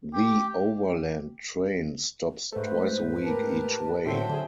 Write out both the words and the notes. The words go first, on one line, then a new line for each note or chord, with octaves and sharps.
"The Overland" train stops twice a week each way.
G4
G#2 A3 B4 C5
G4 A#4 A5
A2 D3 F#3 C4 C5 E5 G5 A5
D3 G#4